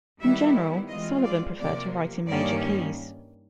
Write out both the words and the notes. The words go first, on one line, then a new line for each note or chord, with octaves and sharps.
In general, Sullivan preferred to write in major keys.
D#3 G3 B3 E4 E5
E3 G#3 C4 F4 D#5
D5
C3 F3 A#3 D5
G2 D#3 G3 A#3 C#4 D5